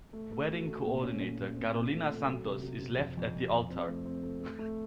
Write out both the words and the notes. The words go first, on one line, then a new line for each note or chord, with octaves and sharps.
Wedding coordinator Carolina Santos is left at the altar.
A3
A3
F#4
A3
A#2
C#4
C#4
A#2
C4
F4
A3
A4
F#3
C3
C3
C3
F2
F2
F2
F2
C4
A3
C4
A3
A3
A3